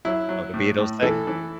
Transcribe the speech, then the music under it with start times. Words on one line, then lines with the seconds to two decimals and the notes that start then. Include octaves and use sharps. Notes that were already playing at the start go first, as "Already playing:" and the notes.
Oh, the Beatles thing?
0.05 F#3 E4
0.29 F#3
0.53 A2
0.78 A2
1.02 E3 A4
1.27 E3